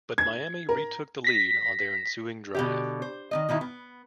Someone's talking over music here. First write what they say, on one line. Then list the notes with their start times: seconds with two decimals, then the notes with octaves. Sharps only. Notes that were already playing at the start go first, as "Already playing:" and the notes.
But Miami retook the lead on their ensuing drive.
0.18 G#6
0.69 A#4
1.24 A#6 B6
2.55 B2 D3 G4
3.02 C5
3.31 D#3 A3 D#5
3.49 B2 D#3 D#4 E4
3.61 B3